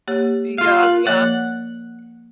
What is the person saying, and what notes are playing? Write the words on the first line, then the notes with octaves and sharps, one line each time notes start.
Yeah, yeah.
A#3 G4 C#5
F4 F5
A#4
F3 A#3 C#5 F#5